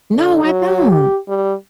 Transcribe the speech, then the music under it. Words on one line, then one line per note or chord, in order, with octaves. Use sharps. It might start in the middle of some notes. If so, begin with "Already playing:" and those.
No, I don't.
D3
F#3
G4
G3